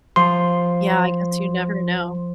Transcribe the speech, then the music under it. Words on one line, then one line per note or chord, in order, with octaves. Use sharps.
Yeah, I guess you never know.
F3 C6